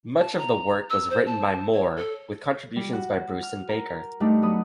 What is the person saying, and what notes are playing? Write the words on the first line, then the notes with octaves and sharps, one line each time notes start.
Much of the work was written by Moore with contributions by Bruce and Baker.
A5
A#5
E6
C5
A5
C#5
A4
G3
F#4
F6
A#4
G2 G3 A3 D4 D#4
F#3 B3 D#6